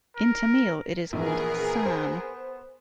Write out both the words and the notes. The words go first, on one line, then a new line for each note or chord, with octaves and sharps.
In Tamil, it is called "saaN".
A#4
A#1 E3 B3 G#4 A#4
C5